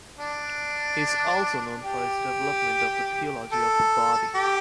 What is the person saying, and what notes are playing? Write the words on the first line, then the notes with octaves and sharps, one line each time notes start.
He is also known for his development of the Theology of the Body.
D4
G4
A4
G4